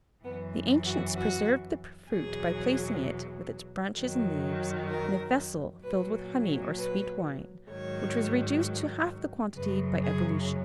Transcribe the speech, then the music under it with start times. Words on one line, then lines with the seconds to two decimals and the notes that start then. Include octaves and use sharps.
The ancients preserved the fruit by placing it, with its branches and leaves, in a vessel filled with honey or sweet wine, which was reduced to half the quantity by ebullition.
0.24 F#2 E3 B3
0.85 F#4
1.16 F#4
2.10 E2 B2 F#3 G#4
3.96 F#2 D#3 F#3
4.89 A#4
5.82 A#2 F#3 B4
6.76 B4
7.69 G#2 D#3 F#3 C#5
9.56 F#2 C#3 F#3 B4
10.03 G#4